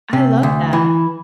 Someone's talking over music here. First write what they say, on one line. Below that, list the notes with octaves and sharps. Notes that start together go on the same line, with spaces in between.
I love that.
C3
D2
E3